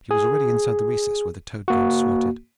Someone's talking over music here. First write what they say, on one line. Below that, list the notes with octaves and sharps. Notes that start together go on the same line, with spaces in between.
She was already inside the recess where the Toad God squatted.
G#4
A#3 F#4